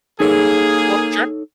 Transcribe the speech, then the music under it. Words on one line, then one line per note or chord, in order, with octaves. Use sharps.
Well, sure.
A#3 D#4 G#4 A4 C#5